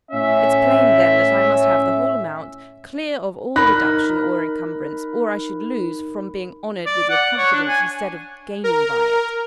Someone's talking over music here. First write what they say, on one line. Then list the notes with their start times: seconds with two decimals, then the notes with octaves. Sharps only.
It's plain, then, that I must have the whole amount, clear of all deduction or incumbrance, or I should lose from being honoured with your confidence, instead of gaining by it.
0.12 A2 C#4 E5
3.56 D#4 A#4 B5 F#6 A#6
6.86 D5
7.10 F#5
7.38 C#5
7.52 D4
7.68 G#5
8.64 A#4